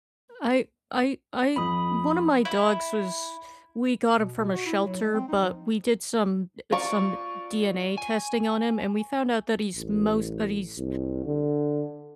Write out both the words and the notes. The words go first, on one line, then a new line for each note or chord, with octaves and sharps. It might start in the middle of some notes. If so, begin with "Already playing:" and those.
I I I one of my dogs was we got him from a shelter, but we did some uh, some DNA testing on him, and we found out that he's most that he's
F2 F3 B5 D#6
E4
B2
B2
F#4
E4
F#3
G#3
C4
D#4
F3
F4 D5 C#6
G#5
A1
C2
D3